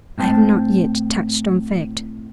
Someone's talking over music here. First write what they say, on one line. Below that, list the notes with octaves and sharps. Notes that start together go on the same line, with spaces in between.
I have not yet touched on fact.
A2 C4 C5 G#5 A5